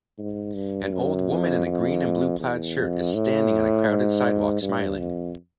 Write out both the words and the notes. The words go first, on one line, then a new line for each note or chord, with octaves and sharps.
An old woman in a green and blue plaid shirt is standing on a crowded sidewalk smiling.
G#2
G2
F#2
F2
F2
E2
F2
A2
G#2
G2
F2